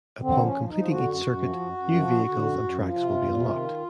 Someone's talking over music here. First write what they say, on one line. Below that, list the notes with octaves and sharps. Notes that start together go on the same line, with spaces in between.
Upon completing each circuit, new vehicles and tracks will be unlocked.
D3 C4
F3
C#4
F3
D#4
F3
D3 F#4
F#2
F#2
F3
F#2
F#2
F3
D3
D3
F#2
F#2
F3
C3 F4
E2
C3
D#3